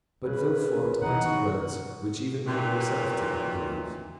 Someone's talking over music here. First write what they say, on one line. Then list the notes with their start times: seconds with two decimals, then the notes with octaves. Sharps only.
But Villefort uttered words which even he himself did not believe.
0.24 C#3 B4
1.02 B2 E3 D#4 F#5
1.24 D#3 F#4
2.47 A#2 D#3 E3 F#3 G3